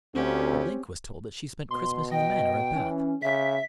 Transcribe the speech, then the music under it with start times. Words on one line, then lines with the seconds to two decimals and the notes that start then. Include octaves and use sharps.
"But Link was told that she spent Christmas in the Manor at Bath."
0.15 D2 C4 C#4 G4
1.71 B2 C6
2.11 D#5 G5
2.75 E3 C#4
3.22 C#3 E5 B6